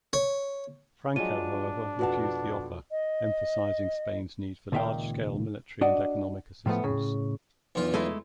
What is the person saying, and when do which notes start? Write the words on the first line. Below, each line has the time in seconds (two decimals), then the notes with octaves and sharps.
Franco however refused the offer, emphasizing Spain's need for large-scale military and economic assistance.
0.13 C#5
1.16 F3 F#3 G#3 D4 F4 D#7
1.99 F2 B2 F#4 B4 F#5 A5
2.91 D#5
4.72 C#2 A#2 D#3 E5 F5 G5
5.81 D4 F#4 D5 D#5
6.66 A2 F3 F#3 A3 B3
6.84 A2 C#3
7.75 B1 E2 F4
7.94 G#3 A3 E4